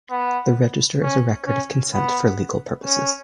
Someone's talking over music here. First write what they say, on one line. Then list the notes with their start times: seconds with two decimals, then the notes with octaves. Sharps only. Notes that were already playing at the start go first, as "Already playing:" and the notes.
The register is a record of consent for legal purposes.
0.10 B3
1.02 C#4
1.47 C#4
1.94 B3
2.84 C#4